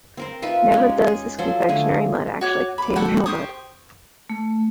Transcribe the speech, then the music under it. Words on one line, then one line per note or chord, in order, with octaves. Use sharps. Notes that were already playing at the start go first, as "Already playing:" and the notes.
Never does this confectionery mud actually contain real mud.
C4 A#4 C5
D#4 F4 B4 E5
G#3 C#4 D#4 G4
G#4
F3 F#3 A4 C5
D3 A3 G#4
F#4 C#5 D6
B5 D6
F#4 A4 F#5 G5
G4 C5 C#6 D#6
A3